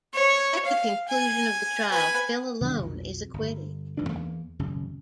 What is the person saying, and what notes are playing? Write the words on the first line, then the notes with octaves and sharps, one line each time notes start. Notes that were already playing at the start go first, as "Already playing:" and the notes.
At the conclusion of the trial, Phil alone is acquitted.
C#5
F5
G#5
B4 G#5
C3 D#3 G3 D4
B1 F2 B2
G1
G1 C#2 E3 D4
E2 A#3
D#1 G#1 F#2 C#3